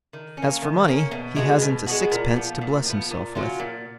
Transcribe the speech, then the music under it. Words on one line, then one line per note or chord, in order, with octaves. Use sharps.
As for money, he hasn't a sixpence to bless himself with.'
D#3
C#4
A#3
D#3
A#3 C#4
B2
G#3 B3 F#4
B2
G#3 B3 F#4
A#2
F3 B3
A#2
F3 B3
A#2
F#3 C#4 F4
A#2